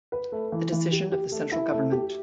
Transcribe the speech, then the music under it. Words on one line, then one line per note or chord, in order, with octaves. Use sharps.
The decision of the Central government.
B4
A3
E3
E3
G4
G4
A3
E4
A3
G4